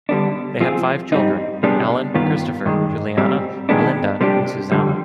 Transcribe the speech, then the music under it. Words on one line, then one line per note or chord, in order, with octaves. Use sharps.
They had five children: Alan, Christopher, Juliana, Melinda and Susanna.
D3 G3 B3 D4
F3 C4 F4 G#4
G#2 G3 C4 D#4
C3 G3 B3 D4 G#4
G2 D#3 B3 F4
G2 D#3 G#3
G#2 G3 C4
G2 D#3 G#3 B3 D4
C3 G3 D4 G4
F2 D3 G3